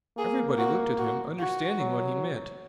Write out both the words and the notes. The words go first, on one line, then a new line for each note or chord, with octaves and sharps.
Everybody looked at him, understanding what he meant.
A#3 G#4
F#4
F#4
F#4
F#3